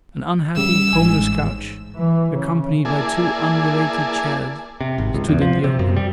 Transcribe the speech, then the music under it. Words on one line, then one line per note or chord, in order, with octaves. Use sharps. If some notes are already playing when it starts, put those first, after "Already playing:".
An unhappy, homeless couch, accompanied by two unrelated chairs, stood in the open.
A1 C#3 G3 E6
A1 G#2 G#5
E3
C#3
A#3 E4 G#4 D5 G#5 A5
C3
G#1
C#2
E2
F3
C3
F#2
G3